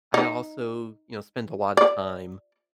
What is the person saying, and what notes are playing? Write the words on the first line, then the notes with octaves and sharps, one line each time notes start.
I also, you know, spent a lotta time,
D#4
D5